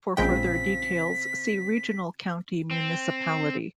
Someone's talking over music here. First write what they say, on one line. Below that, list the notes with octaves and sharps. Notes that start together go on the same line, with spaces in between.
For further details, see Regional county municipality.
A#1 C#3 G#3 C4 F4 G5 B6
C4